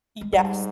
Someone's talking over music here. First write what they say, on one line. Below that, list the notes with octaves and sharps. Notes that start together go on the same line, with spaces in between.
Y yes.
G#3
G#2 G3